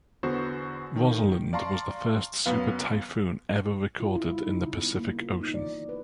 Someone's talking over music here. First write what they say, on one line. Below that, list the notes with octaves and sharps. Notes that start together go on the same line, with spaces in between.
Rosalind was the first super typhoon ever recorded in the Pacific Ocean.
E2 D3 B3 F#4 C5
D#3
D5 F5 A5 A#5 C6 C#6
F#2 B3 B4 F5
F4
E4
G3
D#4
C#3
B3
A#3
F4
D#4
D5
E3
B4